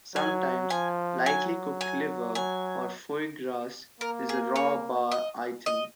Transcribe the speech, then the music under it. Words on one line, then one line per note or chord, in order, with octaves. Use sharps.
Sometimes lightly cooked liver or foie gras is a raw bar item.
F#3 G#5
F3 G#5
F#3 G#5
G#5
F#3 G#5
A#3 A#4
G#4
C#5
D#5
D#5